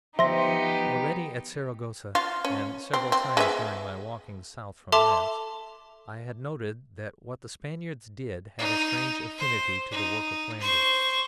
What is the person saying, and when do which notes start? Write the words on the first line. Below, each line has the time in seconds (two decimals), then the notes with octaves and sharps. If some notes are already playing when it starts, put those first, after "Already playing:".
Already at Saragossa, and several times during my walking south from thence, I had noted that what the Spaniards did had a strange affinity to the work of Flanders.
0.19 F3 B3 D#4 G4 E5 C6 A#6
2.15 F4
2.45 C#4
2.94 C4
3.12 C4
3.37 G#3 B3 E5
4.92 A4 E5 A5 C6 D6 F7
8.59 D#4
9.38 C5
9.91 D#4
10.60 C5 C#6